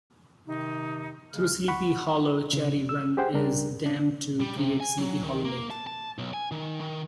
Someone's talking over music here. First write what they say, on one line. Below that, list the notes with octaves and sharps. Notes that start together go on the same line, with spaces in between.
Through Sleepy Hollow, Cherry Run is dammed to create Sleepy Hollow Lake.
C3 D#3 D#4
C#3 G#3 F6
F#5 B5 C#6
C#3
E6
G4 G#4 C5 F#5 G5
C#3 G3 D4 A#4
D4
G3
C3
G#5
F#3
D#3
A#3
A5
A5
B1
G#5
D#3
D#3